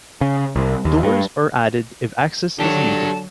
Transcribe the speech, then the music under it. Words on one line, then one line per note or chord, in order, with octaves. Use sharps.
Doors are added if access is needed.
C#3
C2
D#2
G2
D3 F#3 D4 G4 A5